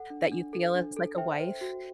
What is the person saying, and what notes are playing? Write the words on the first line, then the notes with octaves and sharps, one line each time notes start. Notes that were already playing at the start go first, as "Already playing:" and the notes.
that you feel as like a wife,
Already playing: A4 F#5
D4
D4
A4
D4
A4
C5 E5 G5
C5
F#4